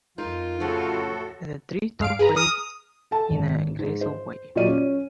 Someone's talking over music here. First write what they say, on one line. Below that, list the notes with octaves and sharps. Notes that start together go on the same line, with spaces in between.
The tree top waved in a graceful way.
F2 D#4 F4 A#4
A2 C#3 F3 F#4 A4
G2 F5 D7
G#4 B4 A#5
D#6 F6
A4 A5
G#1
G#2
C5
A#2 F#3 G4 D5 D#7
C#4